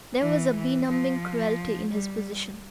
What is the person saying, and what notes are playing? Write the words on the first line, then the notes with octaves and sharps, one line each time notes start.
There was a benumbing cruelty in his position.
E3
E3
F3
G3